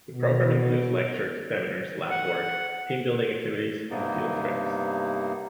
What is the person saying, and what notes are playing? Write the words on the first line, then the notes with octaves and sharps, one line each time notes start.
The program includes lectures, seminars, lab work, team-building activities and field trips.
B2
F#5
G2 C3 A#3 B3 D#4